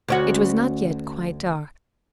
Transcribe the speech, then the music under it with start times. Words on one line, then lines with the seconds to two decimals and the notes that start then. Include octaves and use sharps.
It was not yet quite dark.
0.08 D2 C#4 F#4